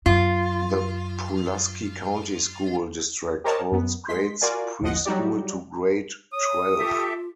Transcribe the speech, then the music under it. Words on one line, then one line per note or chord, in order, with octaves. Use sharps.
The Pulaski County School District holds grades pre-school to grade twelve.
F#2 F4
G4 A#4 C5 C#5 D#5 A5
F#2 B3
G#3 C6 B6
F4 F#4 A#4 D5 F5 G#5
G1 D#2 F3 D#5 F#5
F#3 G3 D#4 F#4 G4 D5
C#5 D#6
F4 G4 A4 E5